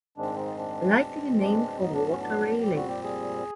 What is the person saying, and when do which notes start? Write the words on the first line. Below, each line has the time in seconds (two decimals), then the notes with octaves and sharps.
Likely named for Walter Raleigh.
0.17 G#2 D#3 G#3 C4 D4
0.38 D#4
0.58 D4
0.99 B2 G#3 C4
1.40 D4
1.80 A2 F#3 B3 D#4
1.94 D4
2.08 C#4
2.21 D4
2.62 A#2 G3 C4 G4
2.76 F#4
2.89 G4
3.04 G#4